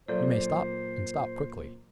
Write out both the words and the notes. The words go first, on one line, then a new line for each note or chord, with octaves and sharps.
"You may stop, and stop quickly."
A#2 F#3 A4 C5 D5